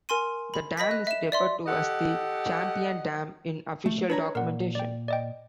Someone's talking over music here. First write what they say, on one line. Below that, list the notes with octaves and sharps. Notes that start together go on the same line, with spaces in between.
The dam is referred to as the Champion Dam in official documentation.
A#4 G#5 C6 D#7
B5
D#5 B5 A#6 B6
F#6
E5 E7
D5 E5 C6
G4 A4 D#5 F#5
A3
D4 B4 C#5 A#5
A#2 A#4 F#5
D5 G5
D5 D#5 G5